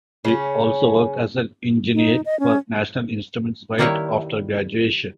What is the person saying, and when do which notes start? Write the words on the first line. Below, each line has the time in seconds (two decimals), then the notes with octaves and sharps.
He also worked as an engineer for National Instruments right after graduation.
0.25 C#3 C#4
1.94 D#4
2.26 D#5
2.40 C#4
3.78 D#3 G3 A#3 E4 B4 C#5